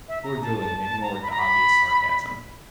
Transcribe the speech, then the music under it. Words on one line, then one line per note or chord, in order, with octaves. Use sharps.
Lord Julian ignored the obvious sarcasm.
E5
A#5
A5
A5
A5
A#5
B5
A#5
B5